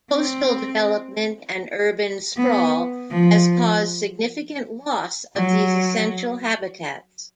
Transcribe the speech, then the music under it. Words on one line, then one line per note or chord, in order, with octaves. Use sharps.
Coastal development and urban sprawl has caused significant loss of these essential habitats.
C4
B3
F3
F#3